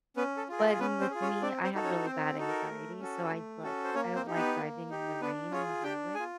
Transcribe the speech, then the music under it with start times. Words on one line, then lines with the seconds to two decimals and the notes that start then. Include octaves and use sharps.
but m with me, I have really bad anxiety, so, I'd like, I don't like driving in the rain on the highway.
0.16 B3 C#4 B4
0.37 A4
0.49 F4 G#4
0.58 A#4
0.80 B3 C#4 B4
1.01 C4 C5
1.11 F4 G#4
1.22 C#4 C#5
1.42 C4 D4 D5
1.63 C4 C5
1.74 D#4 F#4 A4
1.84 C#4 C#5
2.05 C4 C5
2.38 D#4 F#4 A4
2.48 A#4
2.69 A3
3.00 C#4 F#4 A4
3.32 A3
3.63 C#4 F#4 A4
3.84 C5
3.94 A#3 C#4 C#5
4.16 C4 C5
4.26 D#4 G4
4.36 B3 B4
4.58 A#3
4.90 D#4 G4
5.21 B3 D4 B4
5.52 C#4 F4 G#4 C#5
5.84 D4 G4 G5
6.15 G#4 G#5
6.19 F4